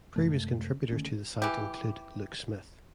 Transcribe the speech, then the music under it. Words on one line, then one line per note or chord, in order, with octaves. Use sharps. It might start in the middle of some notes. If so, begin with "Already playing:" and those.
Previous contributors to the site include Luke Smith.
F#2 C3 G#3 A3
D3 D#3 A3 C#4
E3 G4